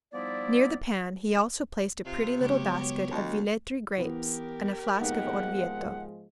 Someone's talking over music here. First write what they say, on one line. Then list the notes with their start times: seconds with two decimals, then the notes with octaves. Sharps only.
Near the pan he also placed a pretty little basket of Villetri grapes and a flask of Orvieto.
0.13 F3 G3 B3 D#4 E4 D5
2.05 C3 F4
2.41 C#3 F#3 G#3 B3 G4 C#5
3.11 D2 D#5 A5
3.98 E3 B3 G4 A#4
5.01 G#2 F3 G#3 A#3 B3 D#4 F#5